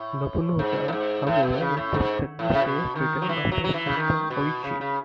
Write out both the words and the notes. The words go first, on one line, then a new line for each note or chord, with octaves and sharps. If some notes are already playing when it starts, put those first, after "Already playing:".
Nobunaga, however, requested the safe return of his sister, Oichi.
Already playing: A2
G#2
A2
G#2
A2
B2
C#3
A2
G#2
A2
C#3
B2
D#3
F#3
E3
F#3
F#3
E3
C#3
D#3
B2
C#3
C#3